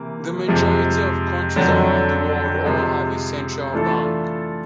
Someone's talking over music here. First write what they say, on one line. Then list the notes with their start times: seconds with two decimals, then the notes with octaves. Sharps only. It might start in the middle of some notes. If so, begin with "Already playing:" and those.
The majority of countries around the world all have a central bank.
Already playing: C3 E3 A#3
0.48 F2 C3 F3 G#3
1.56 F2 D3 F#3
2.65 C3 F3 G#3
3.72 E3 A3 D4 F4 A4